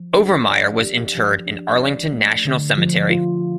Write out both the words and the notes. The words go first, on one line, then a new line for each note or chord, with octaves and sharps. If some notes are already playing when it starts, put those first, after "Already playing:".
Overmyer was interred in Arlington National Cemetery.
Already playing: F3
D4
D5
G4
F3
D4
D5
A3
D3
F3
F4